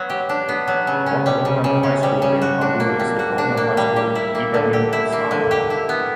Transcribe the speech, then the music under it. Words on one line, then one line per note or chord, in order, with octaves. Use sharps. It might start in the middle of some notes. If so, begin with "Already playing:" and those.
One government high school in Hangu is the Government High School Ibrahim Zai.
Already playing: F#3 B3
G4
D4
B3
F#3
C#3
C#4
G3
C#3
C#3
C#4
G3
C#3
F#4
D4
A#3
G3
F#4
D4
A#3
G3
G4
E4
A#3
D3
G4
E4
A#3
D3
G4
E4
B3